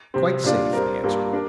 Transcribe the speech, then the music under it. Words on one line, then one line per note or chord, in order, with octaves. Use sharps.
"Quite safe," I answered.
C3 G3 C4
A#2 G3 D4 F4 D5
G3 C4 A#4
G2 G3 A#3 F4 A#4
G3 D4 A#4 D5